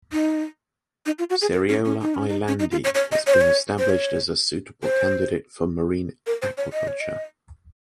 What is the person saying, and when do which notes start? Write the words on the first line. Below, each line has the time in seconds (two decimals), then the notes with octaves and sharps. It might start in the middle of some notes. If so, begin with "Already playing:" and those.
"Seriola lalandi" has been established as a suitable candidate for marine aquaculture.
0.13 D#4
1.06 D#4
1.19 F4
1.30 F#4
1.42 G#4
1.53 A#4
1.69 C#4
1.85 C#4
2.02 D#4
2.15 C#4
2.28 D#4
2.48 C#4
2.59 D#4
2.71 F4
2.84 C#5
2.95 C#5
3.12 D#5
3.27 C#5
3.34 C5
3.41 C#5
3.79 C5
3.89 C#5
4.84 C5
6.27 A#4
6.42 C5
6.57 C#5
6.73 D#5
6.88 C#5
7.00 D#5